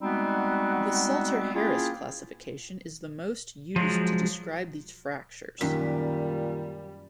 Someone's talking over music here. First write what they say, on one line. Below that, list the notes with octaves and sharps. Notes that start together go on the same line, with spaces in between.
The Salter-Harris classification is the most used to describe these fractures.
G3 G#3 B3 C4 D#4 F#4
A#3 C#4 E4 F4 G#4 G5
F3 F#3 G#3
F#2 A#2 D#3 G3 B6